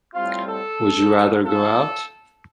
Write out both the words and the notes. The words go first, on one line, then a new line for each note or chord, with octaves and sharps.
Would you rather go out?
A2 G3 C4 F4
A4
A2 F3 A4